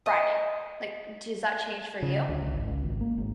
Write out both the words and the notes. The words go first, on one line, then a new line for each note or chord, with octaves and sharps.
Friday." Like, does that change for you?
D#5
C#3
D2
C#2
G#1
C#2
G#1
A#3
G#1